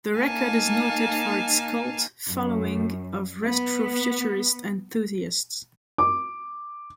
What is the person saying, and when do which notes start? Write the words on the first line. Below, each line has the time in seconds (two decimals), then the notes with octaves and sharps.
The record is noted for its cult following of retrofuturist enthusiasts.
0.15 A#3 D#4 F5 G#5 A5
2.29 F#2
3.46 B3
5.98 D6